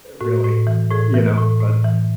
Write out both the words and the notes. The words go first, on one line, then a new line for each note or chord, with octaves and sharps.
really, uh, you know, but
A2 F#4
A2
E3
A2 G#4
E3
A2
A2
E3